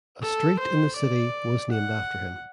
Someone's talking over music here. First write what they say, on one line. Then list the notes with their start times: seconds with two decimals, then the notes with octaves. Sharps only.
A street in the city was named after him.
0.21 A4
0.59 C5
0.96 D5
1.71 F#5